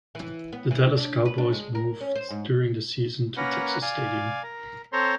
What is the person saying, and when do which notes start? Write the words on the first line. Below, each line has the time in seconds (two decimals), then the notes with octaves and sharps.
The Dallas Cowboys moved during the season to Texas Stadium.
0.15 E3
0.53 B3
0.71 E3
0.97 D4
1.25 B4
1.38 D4
1.52 G#3
1.75 A#4
2.01 C#4
2.15 C5
2.30 G#2
3.37 A#3 C#4 A#4 B4 F#5
3.82 D5 F5 G#5
4.43 A#4
4.93 C4 A4 C5 C#5 A#5 C6